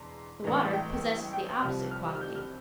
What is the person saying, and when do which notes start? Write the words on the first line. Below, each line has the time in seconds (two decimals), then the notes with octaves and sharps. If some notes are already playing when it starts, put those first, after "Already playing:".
The water possesses the opposite quality.
Already playing: E1 E2 A5 A#5 C6
0.44 A1 A2 E3 A#5
0.73 G5
1.33 G5
1.62 C2 C3 F3 F6
1.91 F6
2.06 E6
2.15 F6
2.21 G6
2.35 F6